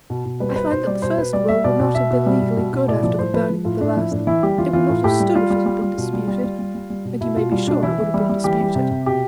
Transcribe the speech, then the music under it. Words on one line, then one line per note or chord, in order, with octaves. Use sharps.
I find that the first will would not have been legally good after the burning of the last; it would not have stood if it had been disputed, and you may be sure it would have been disputed.
B2
B2
G3 B4
C5
B2 B4
B2 C5
G3 D5
B2 C5
B2 B4
G3 D5
G3 E5
B2 D5
B2
B2 E5
B2
G3
B2
B2
B2
A2 D5
F3 D5
A2 C5
F3 B4
F3
A2 F4
A2 D4
F3 E4
A2 D4
E3 E4
G3 G4
E3 F4
E3 F4
A2
A2 G4
G3
G3 F4
G3
G3
G3
B2
G3
G3
G3
G3
G3
G3
B2
B2 E4
B2 F4
G3 F4
B2 D4
E3 E4
E3
G3
G3
E3 G4
G3
C3
C3
B2 G4